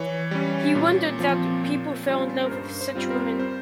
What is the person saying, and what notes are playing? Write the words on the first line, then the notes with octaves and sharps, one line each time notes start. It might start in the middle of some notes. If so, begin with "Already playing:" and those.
He wondered that people fell in love with such women.
Already playing: E3 C#5
G3 C#4
A#2
F3 C4 F4
A#2
G3 C#4 F4
A#4
G2 C5
C5
G3 C4 F4
A#4
C5